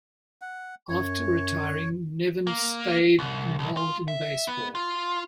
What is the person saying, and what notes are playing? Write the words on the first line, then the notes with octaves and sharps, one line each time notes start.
After retiring, Nevin stayed involved in baseball.
F#5
F#2 C#5
A#3
C2
B1
F4
E5
B3
F4